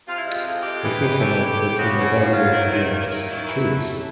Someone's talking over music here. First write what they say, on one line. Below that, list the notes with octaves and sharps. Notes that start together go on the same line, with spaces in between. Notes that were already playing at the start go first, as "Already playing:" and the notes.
This also makes their team available for the artist to choose.
C3 F4
E4
G#3
F4
F2
G#3 G4
E3
E3
A3
A3
E2
C#3 F#4
C#3
F3
F#3 F4
D#3
E4
D#3
A#3
D#3
F#3
E3
A3
A2